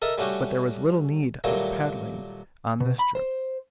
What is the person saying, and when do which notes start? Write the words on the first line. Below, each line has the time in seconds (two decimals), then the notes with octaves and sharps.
But there was little need of paddling on this trip.
0.02 A4 A#4 D#5 E5 A5
0.18 G3 A3 C#4 F#4 G4
1.44 A#2 D#3 F#3 G3 A3
2.80 B2
2.99 B5
3.15 C5